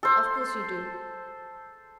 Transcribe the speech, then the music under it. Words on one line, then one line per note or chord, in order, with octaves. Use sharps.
Of course you do.
A4 C5